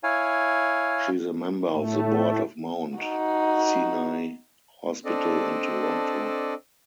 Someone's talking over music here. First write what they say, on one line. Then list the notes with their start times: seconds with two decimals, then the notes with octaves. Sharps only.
She is a member of the Board of Mount Sinai Hospital in Toronto.
0.03 E4 C#5 F5 G#5
1.72 A2 A3
2.99 D#4 F#4
5.05 C4 D4 A4 D5 D#5